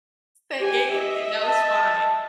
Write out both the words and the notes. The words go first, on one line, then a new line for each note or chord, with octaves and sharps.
That game, and that was fine.
G4 G#5
D#5 E5
A5